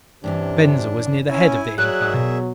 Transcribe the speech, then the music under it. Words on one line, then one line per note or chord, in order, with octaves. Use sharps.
Venza was near the head of the incline.
G2 C3 E3 C#4 D4
C#4 E4 G#5
F#3 G#4 A#4 C#5 D5 E5 F#6
B2